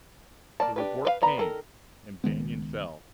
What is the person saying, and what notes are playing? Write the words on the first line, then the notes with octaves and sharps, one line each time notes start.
The report came; and Banion fell.
A#3 D5 A5
D4 G4 B4
B4 C#5 F5
B3 D5 A#5 B5
D#3 A4 A#4
C#2 D#3 G#3 B3